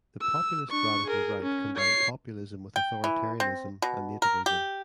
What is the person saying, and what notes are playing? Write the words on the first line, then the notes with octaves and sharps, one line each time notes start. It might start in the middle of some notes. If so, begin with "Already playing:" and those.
The populist radical right combined populism with authoritarianism and nativism.
E6
D4 C#6
G#4 A#4
C#4
C#5 C7
G5
E3
C4
B2
A#4
G4